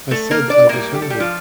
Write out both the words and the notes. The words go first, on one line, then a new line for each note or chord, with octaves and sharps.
I said, 'I was hungry.
A3 A4
A#3 A#4
D4 D5
A2 G3 A#3 A#4
G4
A4
G3 G4
F3 F4